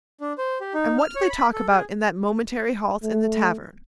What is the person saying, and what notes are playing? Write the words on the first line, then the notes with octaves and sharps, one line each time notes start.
And what do they talk about in that momentary halt in the tavern?
D4
C5
G4
D#4
F6
C#5
B5
A4
G#4
A3